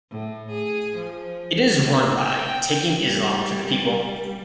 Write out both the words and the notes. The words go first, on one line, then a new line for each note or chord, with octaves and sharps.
It is run by Taking Islam to the People.
A2
G#4
F3
G5
G3